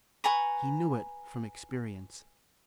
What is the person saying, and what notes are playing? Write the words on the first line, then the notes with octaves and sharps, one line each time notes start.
He knew it from experience.
B4 G#5 A#5 C#6